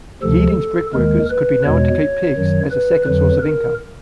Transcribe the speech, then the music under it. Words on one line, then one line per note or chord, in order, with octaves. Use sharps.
Yeading's brickworkers could be known to keep pigs as a second source of income.
D2 C3 F3 A4
D#2 D#3 G#3 A#4
B4
E2 B2 G#3 C#5
F#2 D#3 F#3
B4
F2 D3 F#3 B4
A#4